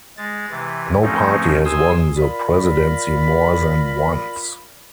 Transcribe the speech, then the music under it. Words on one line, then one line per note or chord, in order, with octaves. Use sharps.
No party has won the presidency more than once.
G#3 A6
C3 E3
F3 A3 C4 C#4 D#4
G#5 C6 D#6 E6
F4 A#4 D5 B5